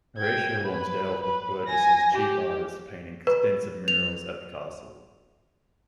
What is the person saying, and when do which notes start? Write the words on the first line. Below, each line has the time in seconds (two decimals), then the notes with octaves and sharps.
Horatio Lonsdale was Burges's chief artist, painting extensive murals at the castle.
0.18 G5 G#6
0.64 B4
1.23 B4
1.68 G#5 A#6
2.14 G4
3.27 B4
3.88 F7